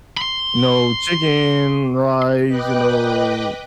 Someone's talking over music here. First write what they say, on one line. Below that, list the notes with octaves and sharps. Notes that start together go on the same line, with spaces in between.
you know, chicken, rice, you know,
B5 C6
B4 D#5 G5 D6 F#6